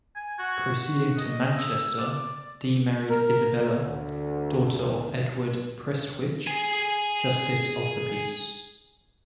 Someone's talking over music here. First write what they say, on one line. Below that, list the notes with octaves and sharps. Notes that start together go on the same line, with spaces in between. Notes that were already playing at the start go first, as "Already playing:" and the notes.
Proceeding to Manchester, Dee married Isabella, daughter of Edward Prestwych, justice of the peace.
G#5
F#4
F#4
D#5
E6
D5
A#4
D2
G#4 G#5